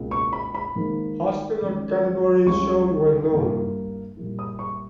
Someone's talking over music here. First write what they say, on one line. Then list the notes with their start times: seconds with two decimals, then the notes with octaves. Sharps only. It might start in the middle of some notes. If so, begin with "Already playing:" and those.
Hospital category is shown when known.
Already playing: C#2 B2 A#3
0.11 C#6
0.33 B5
0.55 B5
0.76 G#2 D#3 A#3 D#4
1.62 G#2 D#3 G#3 C#4
2.46 C#2 C#3 G3 C#4 C#6
3.32 G2 G3 A#3 E4
4.16 A#2 G3 A#3 E4
4.39 D#6
4.59 C#6